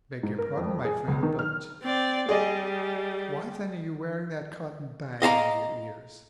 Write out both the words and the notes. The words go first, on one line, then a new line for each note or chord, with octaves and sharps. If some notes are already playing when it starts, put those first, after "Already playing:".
"I beg your pardon, my friend, but why then are you wearing that cotton bag over your ears?"
G#2
A#4
F2
G#4
C#2
D#3
F6
C4 D5
G3 G#4 D5 D#5
D#5 F5 A5 A#5